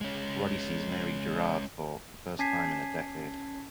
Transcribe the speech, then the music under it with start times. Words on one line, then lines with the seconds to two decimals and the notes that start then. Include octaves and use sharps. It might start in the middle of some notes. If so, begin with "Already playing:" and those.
Roddy sees Mary Gerrard for the first time in a decade.
0.01 G#3 C#4
2.39 C#4 G#5 A5 G#6 B6 C7